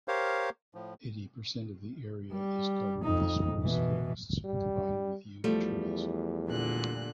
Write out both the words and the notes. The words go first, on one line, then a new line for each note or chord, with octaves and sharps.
Eighty percent of the area is covered with spruce forests combined with yew trees.
G4 A#4 C5 C#5 F5
A2 F3
G3
F2 D#4
B2 E3
G3
E2 F3 G3 A3
A#2 D3 F#6